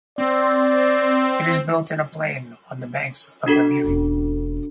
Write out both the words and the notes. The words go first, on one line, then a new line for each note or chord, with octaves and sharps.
It is built in a plain on the banks of the Liri.
C4 D5
D4 F#4 A4
E1 C#4